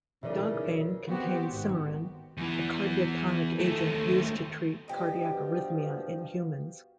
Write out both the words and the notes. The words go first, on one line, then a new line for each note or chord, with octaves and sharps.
Dogbane contains cymarin, a cardiotonic agent used to treat cardiac arrhythmia in humans.
B1 A#2 C#3 E3 A#4 D5 E5
B3 C4 F#4 G4
G#1
E2 E3
D#2 A3
G2 B2 F3 G4 D#5